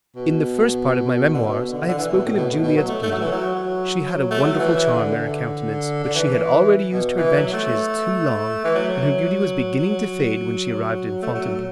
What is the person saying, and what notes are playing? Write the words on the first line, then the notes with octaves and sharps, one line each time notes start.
In the first part of my Memoirs I have spoken of Juliette's beauty; she had a wonderful charm in her countenance, but she had already used her advantages too long, and her beauty was beginning to fade when she arrived in Fontainebleau.
B2
D3
B2
D3
D3
E3
B2
A2
B2
A2
B2
F#3
A3
A3
F#3
E3
F#3
F#3
A3
F#3
E3
E3
D3
D3
E3
B2
E3
F#3
A3
E3
F#3
F#3
A3
F#3